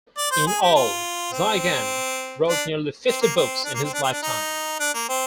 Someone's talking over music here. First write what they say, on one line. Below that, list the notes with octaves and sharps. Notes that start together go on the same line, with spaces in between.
In all, Jizang wrote nearly fifty books in his lifetime.
D5
C5
G#4
G4
F4
C4
D4
C4
A#3
C4
D4
A#3
C4
D4
C4
D4
D#4
D4
A#3
C4